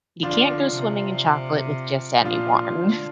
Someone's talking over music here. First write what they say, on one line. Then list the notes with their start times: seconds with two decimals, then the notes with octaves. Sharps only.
you can't go swimming in chocolate with just anyone.
0.23 D3 F3 D4 F4
0.73 C3
2.21 A#2 F3 D4 F4
2.72 D3